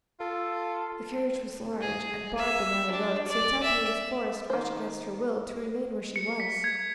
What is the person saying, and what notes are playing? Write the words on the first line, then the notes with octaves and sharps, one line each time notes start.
The carriage was large and barred the narrow road, so Tephany was forced, much against her will, to remain where she was.
F4 A4
G#4
E5
D4
D5
E5
D#3 C5
C#7
B6
G#6